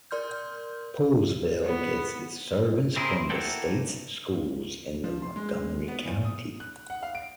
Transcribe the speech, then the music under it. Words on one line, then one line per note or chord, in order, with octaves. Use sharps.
Poolesville gets its servants from the States Schools in the Montgomery County.
A#4 D5 C6 F6 G6
B3
C4 E4 G#4 A#4 C5
A#3 E4 F#4 A4 G5
F3
C6
G#3
B3
E2
D#6
F#6
F#5
F5
D7